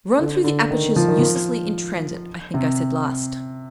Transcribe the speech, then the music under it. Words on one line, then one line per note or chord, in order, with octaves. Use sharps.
"Run through the apertures uselessly in transit," I think I said last.
D3
D3
D#3
F3
D#3
F3
C3